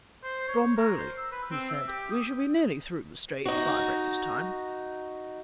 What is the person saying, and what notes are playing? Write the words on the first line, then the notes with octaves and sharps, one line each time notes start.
"Stromboli," he said; "we shall be nearly through the Straits by breakfast-time."
C5
C#5
A#4
C5
E6
B4
C4
E5
G4
D#6
D#4 F#4